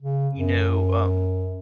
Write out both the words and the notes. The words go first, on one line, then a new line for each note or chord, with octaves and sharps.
you know, um,
C#3
F#2